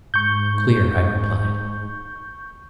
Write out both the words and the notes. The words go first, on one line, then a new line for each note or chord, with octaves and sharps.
"Clear," I replied.
G#2 C#6 G6